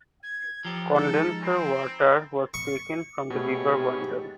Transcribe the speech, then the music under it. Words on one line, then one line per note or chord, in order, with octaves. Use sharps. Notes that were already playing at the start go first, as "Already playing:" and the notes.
Condenser water was taken from the River Wandle.
G#6
F3 G4 A4 A#5
D#3 G#3 A4
C4 G#5 B5 C7
C#6
G#2 B2 A3 B3 G4 G#4 C#5